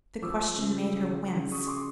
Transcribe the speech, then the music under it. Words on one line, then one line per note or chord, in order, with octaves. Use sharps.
The question made her wince.
F3 D6 E6
C#3
C#3
C#3
C#3 C#6 D#6
C6 D6